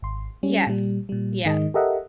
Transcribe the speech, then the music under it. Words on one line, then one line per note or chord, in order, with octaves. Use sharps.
Yes. Yes.
G#1 C6
G3 C#4
A#2 G3
A#2 G3
G#2 D#3 G#3 D#5
G4 A4 A#4 D#5 E5 F#5